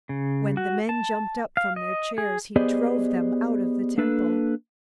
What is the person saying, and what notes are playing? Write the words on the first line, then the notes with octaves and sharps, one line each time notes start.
When the men jumped up from their chairs, he drove them out of the Temple.
C#3
F#4
A5
F5
D#5
G#4
B3 G4 G#4 C5 D5 D#5
A#3 D4 A4 B4